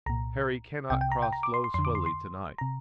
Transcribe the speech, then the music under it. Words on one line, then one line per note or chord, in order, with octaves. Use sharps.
Harry cannot cross Lough Swilly to-night.
C2 A#2 A#5
C2 C3 G5
G5
A#5
G5
A#5
D6
C6
C6
F2 D3 C6
D6
C6
C6
C3 A#5